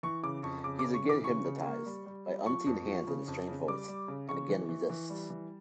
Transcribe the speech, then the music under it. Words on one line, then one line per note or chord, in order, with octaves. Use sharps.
He is again hypnotised, by unseen hands and a strange voice, and again resists.
E3 C#6
C#3 D6
F2 C#6
C#3 D6
D6
C#3
C#6
E3
D6
C#3 C#6
C#3
A#3
G3
G3
G3
F3 C#6
F2
F3
C#3
F2
C#3
G3 D6
G3
C#3
C#3 C#6
E3
E3
E3
G3
E3